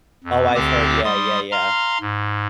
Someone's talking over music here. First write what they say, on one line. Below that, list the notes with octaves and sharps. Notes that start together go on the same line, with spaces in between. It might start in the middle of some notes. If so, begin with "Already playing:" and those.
Oh, I've hear yeah, yeah, yeah.
F2
D2 D3 C4 G4 D6
G3 C6 D#6
F5 A#5 C6 F6
G#2